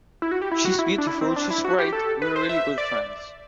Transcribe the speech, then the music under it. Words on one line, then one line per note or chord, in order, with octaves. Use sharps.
She's beautiful, she's great; we're really good friends.
E4
F#4
G4
E4
F#4
E4
D4
E4
C4
D4
E4
F#4
G4
A4
B4
C5
E5
D5